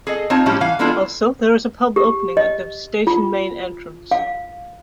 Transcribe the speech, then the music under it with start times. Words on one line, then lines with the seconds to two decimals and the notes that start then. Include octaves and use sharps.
Also, there is a pub opening at the station main entrance.
0.07 G#4 A4 D#5
0.30 C4 D#4 F4 C#5 A5
0.46 A2 F3 G3 C#4 E4 G4
0.61 E3 F5
0.79 G#3 B3 D4 E4 F4 A4
1.96 G4
2.37 D#5
3.07 F4
4.11 F5